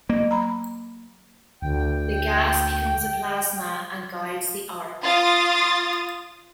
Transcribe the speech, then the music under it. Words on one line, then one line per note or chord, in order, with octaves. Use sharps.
The gas becomes a plasma and guides the arc.
F#3 A#3
A#5 B5
D2 G5
F4 D#6 A6